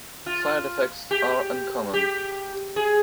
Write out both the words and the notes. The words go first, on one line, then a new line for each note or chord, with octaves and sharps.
Side effects are uncommon.
F4
G4
G4
G#4